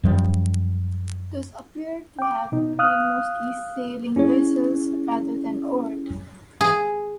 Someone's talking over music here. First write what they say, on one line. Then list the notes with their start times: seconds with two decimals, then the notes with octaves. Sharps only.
These appear to have been mostly sailing vessels, rather than oared.
0.04 F#2 F3 G3
2.19 G5 D6
2.52 B2 D#4
2.79 F5 D#6 F6 F#6
4.16 C#4 E4 G#4 C#5
6.61 G#4